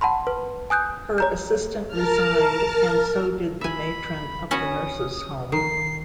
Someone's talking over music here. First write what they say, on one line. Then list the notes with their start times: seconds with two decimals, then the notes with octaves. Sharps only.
Her assistant resigned and so did the matron of the nurses' home.
0.01 F#5 A5 B5 C6
0.27 B4
0.70 G#5 D#6 F#6 G6
1.18 C#5 A#5 G6
1.88 A#4 A5 F6
3.61 E5 G#5 B5
4.51 C#4 F#4 B4 D#6
5.52 D#3 C7